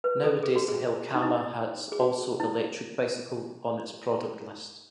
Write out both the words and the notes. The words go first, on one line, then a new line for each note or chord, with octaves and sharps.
Nowadays Helkama has also electric bicycles on its productlist.
B4
A4
G#4
F#4
G#4
D#4
E4
G#4
F#4
E4